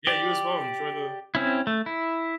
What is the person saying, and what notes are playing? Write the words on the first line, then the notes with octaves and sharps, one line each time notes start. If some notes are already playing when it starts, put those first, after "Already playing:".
Yeah, you as well. Enjoy the
G4 D5
C4 C#4 E4
A3
E4